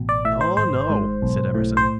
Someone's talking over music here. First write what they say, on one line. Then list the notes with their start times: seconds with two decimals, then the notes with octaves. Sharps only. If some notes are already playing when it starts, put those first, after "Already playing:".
"Oh no," said Emerson.
Already playing: A1 B2
0.09 D5
0.25 A2 E5
0.41 C5
0.57 G#1 C5
0.90 G#2
1.22 B1
1.54 A2
1.77 C5